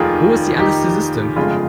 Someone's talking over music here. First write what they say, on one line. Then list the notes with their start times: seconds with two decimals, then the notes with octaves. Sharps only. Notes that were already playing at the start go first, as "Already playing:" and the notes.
Wo ist die Anästhesistin?
Already playing: F1 D#2 D#3 F4 G#4
0.59 D#4 G4
1.36 G1 F2 C#3 G#3 F4 G#4